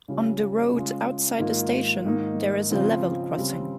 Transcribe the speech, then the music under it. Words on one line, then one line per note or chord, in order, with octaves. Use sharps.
On the road outside the station, there is a level crossing.
C#3 G3 C#4 F4
C#3 G#3 C#4 F4
G#2 D#3 A#3 F4
G#2 D#3 A#3 D#4
C#3 F3 C4 F4
C#3 G3 C4